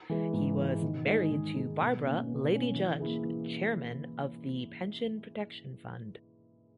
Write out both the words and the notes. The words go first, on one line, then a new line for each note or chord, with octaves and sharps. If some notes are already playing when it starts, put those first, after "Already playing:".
He was married to Barbara, Lady Judge, chairman of the Pension Protection Fund.
E3 G#3
G#2
E3 G#3
D#3
G#3 D#4 G#4
D#3
G#3 D#4 G#4
B2
A#3 C#4
B2
A#3 C#4
E3
A#3 E4 G#4
E3